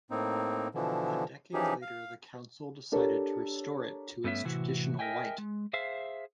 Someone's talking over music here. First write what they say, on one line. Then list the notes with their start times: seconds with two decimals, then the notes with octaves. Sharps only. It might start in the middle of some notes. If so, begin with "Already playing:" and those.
A decade later the council decided to restore it to its traditional white.
0.11 A2 A#3 C4 D#4
0.74 B2 D3 E3 F3
1.54 E3 F3 C#4 D#4 G4 G#4
1.82 F5
2.92 D4 G4 A4 A#4 C#5
4.24 G2 A3 B3 C#4 E5
4.44 A2 C3 E3 E4 F#4
4.99 A#4 D#5 E5 G5 G#5
5.38 G#3
5.73 G#4 C5 E5 F5